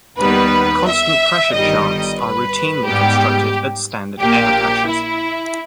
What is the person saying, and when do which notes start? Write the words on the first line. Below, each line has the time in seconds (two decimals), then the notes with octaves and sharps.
"Constant-pressure" charts are routinely constructed at standard air pressures.
0.19 D#2 D#3 G3 B3 B4
0.86 E5
1.52 G1 G2 D#3 G3 D#5
2.19 B4
2.86 G#2 G3 B3 G4
4.19 A#1 A#2 A#3 G4
4.86 E4